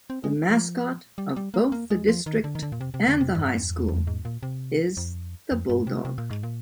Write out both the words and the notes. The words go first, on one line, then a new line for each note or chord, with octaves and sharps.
The mascot of both the district and the high school is the "Bulldog".
C4
G#3
F3
G3
G3
A#3
A#3
G#3
F3
D#3
D3
D#3
D3
A#2
C3
C3
D3
C3
G2
F2
G#2
A#2
C3
F2
F2
G2
C3
C3
A#2
G#2
A#2